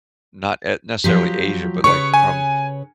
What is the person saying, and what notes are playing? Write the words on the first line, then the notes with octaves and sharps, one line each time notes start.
not e necessarily Asia, but, like, from
F3 F#3 G4
C#3 B4 C#5 C#6 C#7
G#5